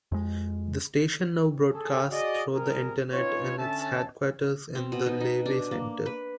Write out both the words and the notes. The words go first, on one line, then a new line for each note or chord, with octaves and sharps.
The station now broadcasts through the Internet in its headquarters in the Leavey Center.
F2 G#3
G#4 A4
F#4 G#4 D5 D#5
C3 F3 G3 C4 G#4 A#4
C#4 D#4 F4 B4 C#5
D3 C#4 E5 A5
C4
B2
D#4
D#4
D4
A#3
B4